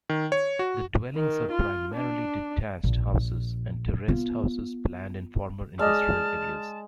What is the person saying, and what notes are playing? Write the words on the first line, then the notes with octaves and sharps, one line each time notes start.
The dwellings are primarily detached houses and terraced houses planned in former industrial areas.
D#3
C#5
F#4
D#3
F4
D4
A#1
B3 F4
G#3 D5 D#5 A5 F6